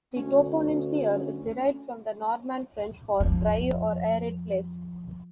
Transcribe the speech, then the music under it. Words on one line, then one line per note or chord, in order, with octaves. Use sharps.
The toponym "Seer" is derived from the Norman French for "dry or arid place".
D2 C#4
F2 F3